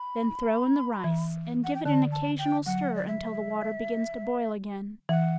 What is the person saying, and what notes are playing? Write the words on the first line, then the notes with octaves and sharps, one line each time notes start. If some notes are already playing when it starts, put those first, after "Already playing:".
Then throw in the rice, and give it an occasional stir until the water begins to boil again.
Already playing: B5
E3
F#5
G5
D3 A5
A5
G5
F#3 F#5
D5
E5
E3 F#5